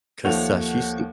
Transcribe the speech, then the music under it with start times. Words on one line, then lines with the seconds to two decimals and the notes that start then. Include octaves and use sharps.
'cause, uh, she seem
0.25 D#2 F3 A3 C#5 F#5 F7